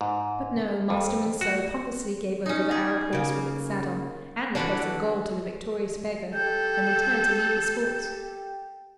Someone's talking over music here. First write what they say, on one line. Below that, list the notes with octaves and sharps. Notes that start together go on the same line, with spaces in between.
But, no--Master Monceux pompously gave over the Arab horse with its saddle, and the purse of gold to the victorious beggar; and then turned to leave the sports.
G#2
F2
F#4
C#4 D#4
G#4
C#3 A#3
D3 E3 D4 F#4 B4
G4 A4 G6